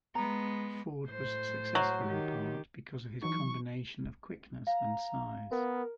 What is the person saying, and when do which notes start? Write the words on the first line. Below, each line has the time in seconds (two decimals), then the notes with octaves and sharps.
Ford was successful in part because of his combination of quickness and size.
0.15 G#3 B3 A#5
1.07 A2 C5
1.75 F#3
2.05 D#3 G4
3.23 E3 F#3 D#4 C#6
4.67 F5 A#5
5.52 B3 A#4